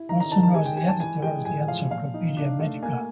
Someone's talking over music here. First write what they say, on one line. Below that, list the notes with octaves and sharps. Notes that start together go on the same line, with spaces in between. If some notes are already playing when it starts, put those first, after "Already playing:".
Watson was the editor of the "Encyclopaedia Medica".
Already playing: E4
D#3 A#5
A#5
D#3 A5
A5
G#3 G#5
G5
G#3 G#5
A5
E3 G#5
G#3 G5
A2 G#5
F3 F5
A#2 F5
D#4
D4
A3
A#3 G#5